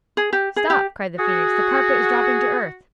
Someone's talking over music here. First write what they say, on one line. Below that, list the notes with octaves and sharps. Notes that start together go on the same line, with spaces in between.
'Stop!' cried the Phoenix; 'the carpet is dropping to earth.'
G#4
G4
G#4
G4
F#4 G#4